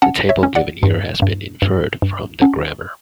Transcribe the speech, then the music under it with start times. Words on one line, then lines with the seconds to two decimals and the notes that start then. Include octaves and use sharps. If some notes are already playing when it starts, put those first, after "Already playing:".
The table given here has been inferred from the grammar.
0.02 C#4 F#5 A5
0.29 C#5 E5
0.43 C#4
0.55 D5 F#5
0.83 G2
1.22 G2
1.62 G2
2.02 G2
2.42 C#4 F#5 A5